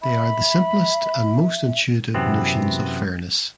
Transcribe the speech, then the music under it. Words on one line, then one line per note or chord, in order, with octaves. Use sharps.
They are the simplest and most intuitive notions of fairness.
E5 B5
F#2 C3 E3 B3 C4